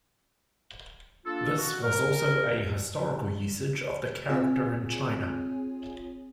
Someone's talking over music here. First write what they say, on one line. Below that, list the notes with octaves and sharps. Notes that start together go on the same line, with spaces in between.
This was also a historical usage of the character in China.
A#3 D4 F4 A4
F#4
A#4
C4 F4 G#4 C#5 G#5